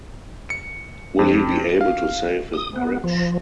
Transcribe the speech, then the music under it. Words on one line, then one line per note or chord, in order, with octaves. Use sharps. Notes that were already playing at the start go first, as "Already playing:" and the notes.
Will he be able to save his marriage?
C#7
F2
F5
D#6
B3
F3